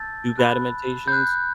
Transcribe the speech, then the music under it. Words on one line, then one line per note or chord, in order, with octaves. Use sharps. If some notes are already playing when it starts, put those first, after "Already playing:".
do guided meditations.
Already playing: A5 E6 G6 A6
B5 F#6
B5 F#6 G6